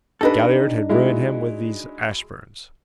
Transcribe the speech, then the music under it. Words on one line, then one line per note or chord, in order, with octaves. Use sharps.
Galliard had ruined him with these Ashburns.
D4 D#4 G4 A4 B4
G#3 E4 F#4